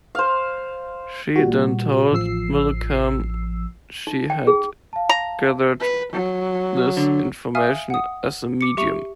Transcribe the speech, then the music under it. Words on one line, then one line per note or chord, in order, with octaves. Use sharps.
She then told Millecam she had gathered this information as a medium.
C5 F5
A#2 G3 F#4
A1 F3 E6 C7
D#4
G5
G#4
F5 A5
A#5
B4
F#3
D3
E5 F5 G#5 D#6 F6
F#5 D#6
D6 C#7
G4 E5 C#6 C#7 F7